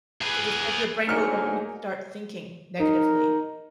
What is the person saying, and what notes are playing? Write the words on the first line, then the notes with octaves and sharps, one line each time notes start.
Because it said your brain will only start thinking negatively,
G#4 B4
G#2 D3 F#3 A#3 D#4 G#5 F6 C#7
D#4 A#4